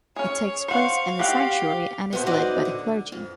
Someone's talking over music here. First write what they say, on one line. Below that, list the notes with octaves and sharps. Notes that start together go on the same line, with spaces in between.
It takes place in the sanctuary and is led by the clergy.
C#4 G#4 C#5
C5 F5 F#5 C#6
F#4 G4 C5 F#5
B3 F#4 A4 A#4 C5 G#5
D#4 E4 F#4 C5 D5 D#5
D3
F2